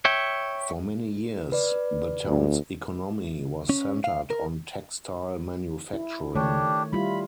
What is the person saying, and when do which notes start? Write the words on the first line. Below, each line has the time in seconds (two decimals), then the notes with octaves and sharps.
For many years, the town's economy was centered on textile manufacturing.
0.05 C#5 E5 G5
1.52 B4 D5
2.26 D2
3.70 C#4
4.04 F5
4.30 A#4
5.93 E4
6.35 D#3 A3 D4 G4 C#5
6.93 G3 E4 F4 B5